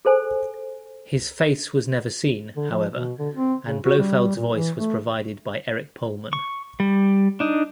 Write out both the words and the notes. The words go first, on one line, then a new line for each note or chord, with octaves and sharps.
His face was never seen, however, and Blofeld's voice was provided by Eric Pohlmann.
G#4 A4 C5 G#5
D3
F3
B2
D3
C4
C#3
F#4
G3
A#2
E3
A3
C#6
G3
D4 D#4